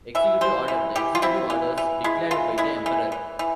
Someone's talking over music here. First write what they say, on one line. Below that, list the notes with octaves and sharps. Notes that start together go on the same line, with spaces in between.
Executive order: The executive orders declared by the emperor.
E3 E5
E3 C5
E3
E3 G4
F4
C4 E4
E3
E3
G#3 E4
E3 F4
G#3 E4
E3
E3
E3